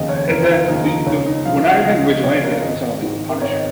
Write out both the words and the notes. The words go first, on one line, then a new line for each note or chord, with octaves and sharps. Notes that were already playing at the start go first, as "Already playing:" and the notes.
uh, and then the the When I think vigilante, I think someone like the Punisher,
Already playing: F1 D#2 C#3 F3 F4 D#5
C#5
F1 A#4
F4
D#2 C#3 F3 D#4
D#4
C#2 C#4
D#4
C#3 F3 F5
D#5
F5
C#2 D#5
D#5
C#3 F3 C#5
A#4
G#1 D#5
G#2 D#3
A#4
G#1 C#5
D#5